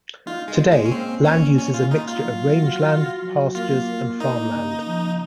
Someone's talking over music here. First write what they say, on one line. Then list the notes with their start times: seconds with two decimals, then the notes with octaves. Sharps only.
Today, land use is a mixture of rangeland, pastures, and farmland.
0.27 D#4 F4
0.48 G#3
0.59 A#2
0.71 G#3
0.85 C#4
0.92 A#2 C4
1.25 A#2 C#4
1.58 G#3 C#4
1.74 F4
1.91 A#2 D#4
2.08 F4
2.24 F#3
2.56 F#4
2.89 F#4
3.22 F#3
3.55 A#3 F4
3.87 A#3
4.20 A#3 D#4
4.53 C#3
4.86 F3